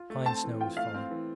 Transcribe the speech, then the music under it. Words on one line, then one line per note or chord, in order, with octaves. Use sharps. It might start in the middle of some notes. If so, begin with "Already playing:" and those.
Fine snow was falling.
Already playing: F4
A3
C4 A5
E3
F4 G5
A3 F5
C4
E3